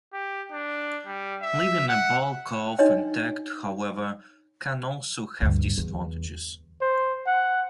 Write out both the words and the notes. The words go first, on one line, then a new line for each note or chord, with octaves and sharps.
Leaving a bull calf intact however, can also have disadvantages.
G4
D4
G3
E5
F#5
D4 D#4 F#4 C#5 D#5 G5
D2 G2
E2
C5
F#5